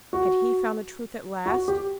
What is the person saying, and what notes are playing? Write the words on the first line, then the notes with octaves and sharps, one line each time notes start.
Had he found the Truth at last?
F#4
F#4
G4